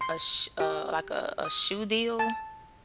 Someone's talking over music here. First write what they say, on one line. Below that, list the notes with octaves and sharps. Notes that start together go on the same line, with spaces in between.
a sh uh, like, a a shoe deal,
C6
G4
D#6
A5